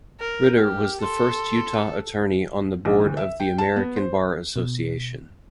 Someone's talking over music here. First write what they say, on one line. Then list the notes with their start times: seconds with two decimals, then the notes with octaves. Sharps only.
Riter was the first Utah attorney on the Board of the American Bar Association.
0.20 A#4
0.57 G4 F6
1.02 A4 C6
2.85 A#1
3.04 D2
3.17 E5
3.40 G5
3.58 A5
3.76 B3
3.96 C5
4.56 B2